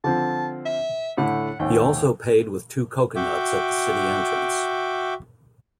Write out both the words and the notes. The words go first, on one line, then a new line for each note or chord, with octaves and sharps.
He also paid with two coconuts at the city entrance.
D3 F3 C4 A5
E5
A2 D3 A3 F#5
D#2 G#2 G5
F#4 E5 G5 D6